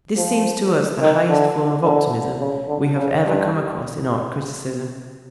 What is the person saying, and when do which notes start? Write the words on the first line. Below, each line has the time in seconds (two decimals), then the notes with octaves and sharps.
This seems to us the highest form of optimism we have ever come across in art criticism.
0.17 F3
1.01 D#3
1.29 D3
1.84 D3
2.40 C#3
2.68 D3
2.97 C#3
3.24 G2